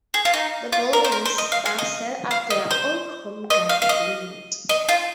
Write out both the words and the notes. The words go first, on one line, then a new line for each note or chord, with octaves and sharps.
The building's staff set up their own Home Guard unit.
G#4
F4
D#4
F4
A#4
C5
A#4
C5
D#5
F5
F5
D#5
F5
D#5
C5
D#5
F5
F5
D#5
D#5
F4